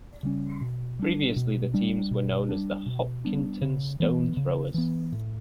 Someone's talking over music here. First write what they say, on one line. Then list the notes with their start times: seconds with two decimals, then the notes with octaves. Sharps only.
Previously the teams were known as the Hopkinton Stonethrowers.
0.23 C#3 G3 C#4
0.61 B2
0.99 G3 D4
1.36 B2
1.74 G3 D4
2.11 B2
2.49 G3 B3 D4
2.86 B2
3.25 G3 B3 D4
3.62 C#3
4.00 E3 B3
4.37 C#3
4.74 E3 B3
5.12 A2